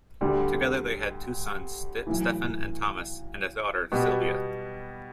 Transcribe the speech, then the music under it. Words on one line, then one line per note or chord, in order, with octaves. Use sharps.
Together they had two sons, Stephan and Thomas, and a daughter, Sylvia.
D2 D3 G3
B1 A2 E3
B2 G3 B3